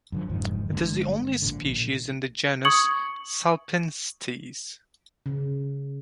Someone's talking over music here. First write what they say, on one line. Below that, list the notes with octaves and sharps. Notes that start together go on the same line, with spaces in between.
It is the only species in the genus "Salpinctes".
F#2 D3 F3
F#1 F2 G#2 D#3
G1 D3 G#3 A#3
A#1 A#2 D3
C#6 D#6 G#6 C#7 F#7
C#3